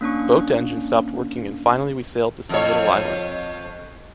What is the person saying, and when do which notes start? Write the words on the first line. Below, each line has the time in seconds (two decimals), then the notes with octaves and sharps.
Boat engine stopped working and finally we sailed to some little island.
0.01 A#3 C#4 D4 C#6
2.49 F2 C#5